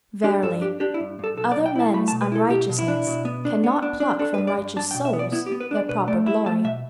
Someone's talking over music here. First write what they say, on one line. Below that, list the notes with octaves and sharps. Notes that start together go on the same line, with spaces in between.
Verily, other men's unrighteousness cannot pluck from righteous souls their proper glory.
D4 G4
G2 A4
D4 G4
D4 G4
E4
G2
G2 A4
B1 A4
D5
B1
G5
E4 A5
A3 B5
A5
B2
B4
E4 A4
B2 G4
B2
E4
D4
B2
B3
D4
B3
D4
D4
D4 A4
B4
G2
D5
G2
D4 A5
G5
B2
E5
B3
D5
B3 E4
G4
B3
B4
D4 D5
B2 B4
A3 D5
E4 E5
A3 A5
B2 E5